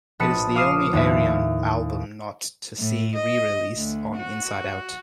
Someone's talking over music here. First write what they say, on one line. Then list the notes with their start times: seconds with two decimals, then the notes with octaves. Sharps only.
It is the only Ayreon album not to see re-release on InsideOut.
0.20 A#1 B4 A5 D#6 C#7
0.56 F5 D6 D#6 F6 C7 E7
0.93 D#2 A2 E5
2.78 A2
3.15 D#5
3.79 D2
4.16 F#4